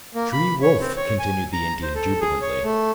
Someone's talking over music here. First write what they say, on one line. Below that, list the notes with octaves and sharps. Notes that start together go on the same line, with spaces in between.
"T'ree wolf!" continued the Indian jubilantly.
A#3
B5
C#5
C4
C#5
G#5
A#5
C5
A4
G#4
C#5
A3